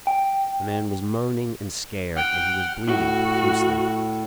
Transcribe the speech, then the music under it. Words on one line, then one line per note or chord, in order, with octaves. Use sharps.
The man was moaning and scared, and he was bleeding profusely.
G5
F#5 G5 F6
A2 F#4